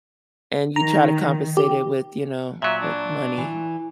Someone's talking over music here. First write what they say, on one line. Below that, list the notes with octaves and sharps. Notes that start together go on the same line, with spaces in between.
and you try to compensate it with you know, with money.
D#3 A#5
G4
A#2 F#3 E5
D4
E3